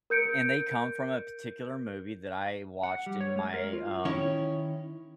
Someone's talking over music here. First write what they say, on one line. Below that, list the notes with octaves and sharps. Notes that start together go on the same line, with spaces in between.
And they come from a particular movie that I watched in my, um,
A#4 G6 C#7 D7
F#5
G3
C#5
G#3
A#4
F4
D#3 C#4 E4 C#5